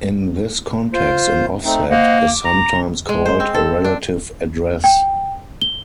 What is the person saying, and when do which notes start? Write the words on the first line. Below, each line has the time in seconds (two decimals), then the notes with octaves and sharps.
In this context an offset is sometimes called a relative address.
0.94 F4 C5
1.65 A3 C4 D#4
1.90 A#3 C5 D#5 F#5
2.27 D6
2.45 A#5
3.09 G#3
3.26 C5
3.40 C4
3.54 A4
3.84 D4
4.84 G5
5.61 G7